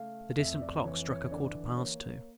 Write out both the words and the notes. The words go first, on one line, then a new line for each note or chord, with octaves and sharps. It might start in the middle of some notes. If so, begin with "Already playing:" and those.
The distant clock struck a quarter-past two.
Already playing: C#3 A3 F5
F2 E5
D5
E3 C#5
C#5
D3 D5
A#3 C#5